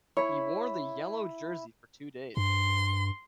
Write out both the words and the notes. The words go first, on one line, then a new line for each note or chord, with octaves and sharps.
He wore the yellow jersey for two days.
E4 C#5 B5
G2 C6